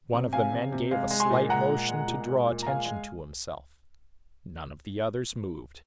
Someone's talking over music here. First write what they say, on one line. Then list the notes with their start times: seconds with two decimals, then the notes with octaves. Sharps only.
One of the men gave a slight motion to draw attention to himself. None of the others moved.
0.13 C3
0.33 C3 F5 G#5
0.52 C3
0.72 C3
0.91 G#3 F5
1.11 G#3
1.20 G#5 C6
1.30 A#2
1.49 G#3 F#5 A#5
1.70 A#2
1.89 G#3
2.08 A#2
2.27 G#3
2.47 A#2
2.62 A#5
2.66 G#3 F5 G#5
2.85 G#3